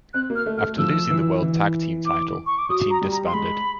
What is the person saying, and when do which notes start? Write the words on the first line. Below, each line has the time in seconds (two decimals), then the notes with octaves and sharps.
After losing the World Tag Team title, the team disbanded.
0.14 C4 F#6
0.30 A#3
0.36 F6
0.46 A3
0.57 F6
0.61 A3
0.78 F3 E6
1.10 E3
1.42 E3
2.06 D6
2.47 C#6
2.58 D6
2.69 F#3 D#6
2.91 A#5
3.02 G3
3.12 A#5
3.26 C6
3.33 G#3 B5